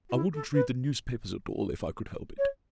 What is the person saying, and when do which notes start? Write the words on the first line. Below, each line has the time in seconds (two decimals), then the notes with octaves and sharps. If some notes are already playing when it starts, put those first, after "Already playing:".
I wouldn't read the newspapers at all if I could help it.
0.09 F#4
0.14 E4
0.34 A4
0.54 B4
2.38 C#5